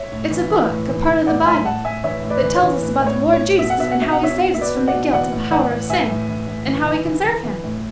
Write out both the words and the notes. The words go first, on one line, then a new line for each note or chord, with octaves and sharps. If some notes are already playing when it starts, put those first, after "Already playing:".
"It's a book--a part of the Bible--that tells us about the Lord Jesus, and how He saves us from the guilt and power of sin, and how we can serve Him."
Already playing: C#5 E5
A2
E3
E3
A2
E3
E3
A2 D5 F#5
A2 E5 G#5
A2 F#5 A5
A2 E5 G#5
E3 C#5 E5
A2
B4 D5
E3
C#5
E3
A2 B4
A2
C#5
A2
C#5
A2
B2 E5
F#5
B2 E5
F#5
B2 E5
B2 F#5
C#5 E5
B2
B2 E5
B4 D5
B2
D5 F#5
B2
E3 D5 F#5
A2
E3 D5 F#5
A2
E3 E5 G#5
A2
E3
A2
E3
E3
E3
E3
E3
A2